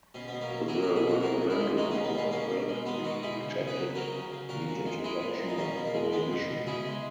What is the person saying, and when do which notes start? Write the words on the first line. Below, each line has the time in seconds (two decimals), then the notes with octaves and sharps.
The referendum overwhelmingly rejected the introduction of prohibition.
0.14 B2 C#4
0.28 B2 B3
0.41 A#3 C#4
0.50 F#3
0.68 F#3 E4 G#4
0.82 B2 F#4 A#4
0.96 E4 G#4
1.05 B2 F#4 A#4
1.22 B2 F#4 A#4
1.41 B2
1.50 E4 G#4
1.59 G#3
1.77 G#3 D#4 F#4
1.91 B2 A#3 C#4
2.04 B3
2.14 B2 A#3 C#4
2.31 B2 A#3 C#4
2.50 B2
2.69 G#3
2.86 G#3 B3 D#4
3.04 B2 D#4 F#4
3.22 B2 E4 G#4
3.41 C#3
3.59 C#3
3.67 G#4 B4
3.77 F#3
3.95 F#3 F#4 A#4
4.13 C#3
4.32 C#3
4.49 A#2 F#4 A#4
4.68 A#2
4.86 G#3
5.04 G#3 E4 G#4
5.22 A#2
5.40 A#2
5.48 D#4
5.58 B2 A#3 C#4
5.76 B2
5.85 A#3
5.94 G#3
6.12 G#3 B3
6.31 B2
6.50 B2
6.67 C#3 E4 G#4
6.85 G#3